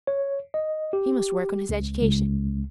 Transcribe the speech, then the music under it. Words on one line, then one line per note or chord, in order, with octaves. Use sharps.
He must work on his education.
C#5
D#5
G4
C#2
C#2